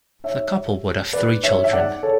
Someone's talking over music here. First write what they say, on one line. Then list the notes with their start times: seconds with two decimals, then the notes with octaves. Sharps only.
The couple would have three children.
0.24 C#5 E5
1.13 B4 D5
1.43 C#5 E5
1.64 E5
1.73 D5 F#5
2.03 A4 C#5